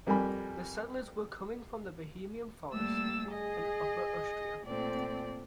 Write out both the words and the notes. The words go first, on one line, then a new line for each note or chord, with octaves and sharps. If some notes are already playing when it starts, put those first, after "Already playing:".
The settlers were coming from the Bohemian Forest and Upper Austria.
F2 G3 A#4 G#5 B5
G3 A3 A#3 E6 A6
G#4 D#5
A#2 A3 C4 D5